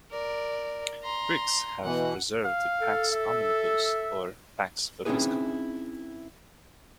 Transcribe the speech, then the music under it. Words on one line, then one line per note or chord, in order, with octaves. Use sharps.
Greeks have preserved the "Pax omnibus" or "Pax vobiscum".
A#4 D5
A#5 C6
B2 E3 F#5
F5
A4
E5
C4 C#4 D#4 E4 G#4 B4